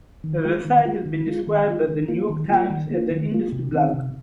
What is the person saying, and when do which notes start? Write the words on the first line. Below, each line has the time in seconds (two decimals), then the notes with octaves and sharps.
The site has been described by "The New York Times" as an industry blog.
0.24 D#3
0.44 G#3 F4
0.65 D#3
0.85 G#3 F4
1.06 D#3
1.26 G#3 F4
1.47 D#3
1.68 G#3 F4
1.88 D#3
2.08 A#3 F4
2.29 D#3
2.49 A#3 F4
2.70 D#3
2.90 A#3 F4
3.11 D#3
3.32 A#3 F4
3.52 C3
3.73 D#3 C4 D#4
3.94 C3